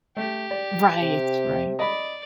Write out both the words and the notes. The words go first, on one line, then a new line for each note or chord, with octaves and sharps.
Right, right.
A3 G4
D5
C3
D5 D#5 B5